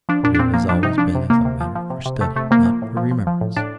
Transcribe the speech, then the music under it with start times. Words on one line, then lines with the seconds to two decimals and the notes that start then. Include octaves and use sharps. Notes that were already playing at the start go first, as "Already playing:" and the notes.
But it has always been as a matter for study, not for remembrance.
0.09 F3 D4
0.23 A#2 D4
0.34 D4
0.39 A#2 C4
0.54 F3 A#3
0.69 F3 D4
0.83 C3 D#4
0.98 F3 D4
1.15 C3
1.30 C3 A#3
1.45 C3
1.60 F3
1.75 F3
1.90 C3
2.06 C3
2.21 C3 A3
2.36 C3 A3
2.51 C3 A#3
2.65 F3
2.82 A2
2.97 F3
3.11 F3
3.27 F3
3.41 A2
3.56 A2 D4